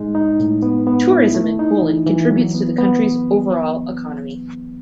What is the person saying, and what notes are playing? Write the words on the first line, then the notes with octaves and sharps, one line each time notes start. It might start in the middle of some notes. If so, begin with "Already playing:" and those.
Tourism in Poland contributes to the country's overall economy.
Already playing: A2 G#3 D#4
D#4
A2
B3
B3
E4
A3
D#4
E3
E3
F#3
B3
B3